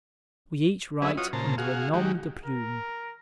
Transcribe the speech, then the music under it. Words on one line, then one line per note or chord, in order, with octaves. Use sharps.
We each write under a nom-de-plume.
F#3 C#4 G#4 B4 D#5 E5
F4 F#4 C#5 D#6
A#2 C#3 C5 A5 A#5
F#4 G#4 F5
D#3 G#3 F#4 G4
A#4